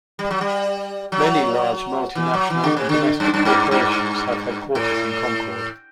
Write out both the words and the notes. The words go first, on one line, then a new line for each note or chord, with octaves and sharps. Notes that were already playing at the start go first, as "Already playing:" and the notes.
Many large multi-national and domestic corporations have headquarters in Concord.
G3
F#3
G3
F#3
E3
F#3
E3
D3
C3
D3
F#2
F#2
G2
G2
A2